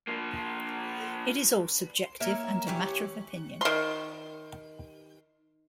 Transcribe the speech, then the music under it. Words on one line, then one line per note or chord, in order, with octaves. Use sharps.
It is all subjective and a matter of opinion.
F3 A#3
A#3 A#4 C#5 E5
E3 G4 C#5
D#3 C6